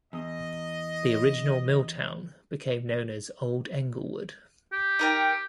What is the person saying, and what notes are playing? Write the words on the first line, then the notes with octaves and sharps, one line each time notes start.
The original milltown became known as "Old Englewood".
E2 D#5
G4
D#4 A#4 G5